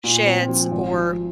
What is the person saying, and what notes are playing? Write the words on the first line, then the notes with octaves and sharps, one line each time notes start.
sheds or
A#2
C4
F3
G#1
F3